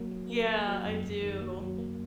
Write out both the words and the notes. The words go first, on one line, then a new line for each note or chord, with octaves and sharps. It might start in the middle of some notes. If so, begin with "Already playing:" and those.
Yeah, I do.
Already playing: F#3 A#3
F#3
A#3
A#3
F#3
F#2
F#2
D#3
A#3
F#3
A#3